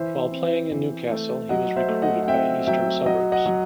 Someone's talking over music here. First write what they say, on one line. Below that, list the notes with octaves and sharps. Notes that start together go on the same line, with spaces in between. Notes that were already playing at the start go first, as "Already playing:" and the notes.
While playing in Newcastle he was recruited by Eastern Suburbs.
Already playing: E3 C5 E5
C4
E3
A3
F#3 D#5 F#5
C5 E5
A3
D#5 F#5
F#5
C4 E5 G5
F#3 E5 G5
F#3 D#5 F#5
D#5 F#5
F#3